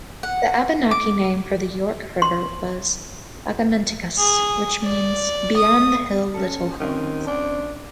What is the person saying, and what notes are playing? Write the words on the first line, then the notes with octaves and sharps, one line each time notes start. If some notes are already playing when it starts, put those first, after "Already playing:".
The Abenaki name for the York River was "Agamenticus", which means "Beyond-the-hill-little-cove".
F#5
D6
C6
G#4
D5
D#6
C#4 A4
D#3 C4 C#4
D4